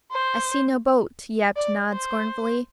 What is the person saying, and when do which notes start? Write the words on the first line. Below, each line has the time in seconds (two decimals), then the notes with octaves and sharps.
"I see no boat," yapped Nod scornfully.
0.12 C5
1.56 D5
1.93 C5